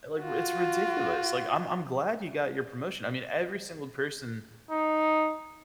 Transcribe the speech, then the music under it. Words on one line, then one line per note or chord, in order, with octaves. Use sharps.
like r It's ridiculous, like, "I'm I'm glad you got your promotion." I mean, every single person
F4 F#4
D#4